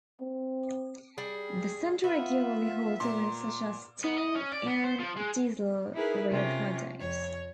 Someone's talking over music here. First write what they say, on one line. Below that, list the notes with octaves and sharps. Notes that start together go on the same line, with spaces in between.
The centre regularly holds events such as steam and diesel railcar days.
C4
G3 G#4
B3 F4 E5
A#2 A#5 C6
B3
D#5
C#4
D5
B3
C5
F3
G#3
D#4 E4 G#4 A#4 B4
C3 C#4 F4
F2 C#5